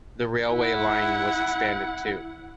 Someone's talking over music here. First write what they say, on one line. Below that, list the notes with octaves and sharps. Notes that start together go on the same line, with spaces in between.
The railway line was expanded, too.
E4 F#5